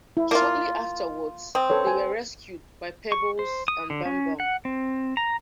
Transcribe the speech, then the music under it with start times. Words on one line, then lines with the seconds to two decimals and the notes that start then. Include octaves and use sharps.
Shortly afterwards they are rescued by Pebbles and Bamm Bamm.
0.17 E4
0.31 A#3 E4 F4 D5 A5
1.55 C4 D#6
1.70 A4 B4 C#5
1.87 G#5
3.12 C#6
3.39 C5
3.68 D#6
3.90 D3
4.05 C#4
4.40 F#5
4.65 C4
5.17 A#5